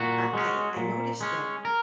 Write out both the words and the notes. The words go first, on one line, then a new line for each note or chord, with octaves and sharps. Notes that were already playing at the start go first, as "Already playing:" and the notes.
I I I noticed that
Already playing: A#2 F#4
G#3 C#4
A#2
G#3 C#4
A#4